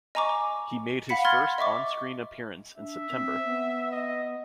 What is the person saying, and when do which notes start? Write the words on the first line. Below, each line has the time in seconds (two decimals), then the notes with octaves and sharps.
He made his first on screen appearance in September.
0.15 D#5 G#5 A#5 C#6 D6
1.09 F5 F#5 B5 B6 C#7
1.25 B5 C6 F6 G#6 A6
1.58 D#5 E5 C#6 D6
2.77 D4 E5
3.09 C4
3.45 B3
3.91 D#5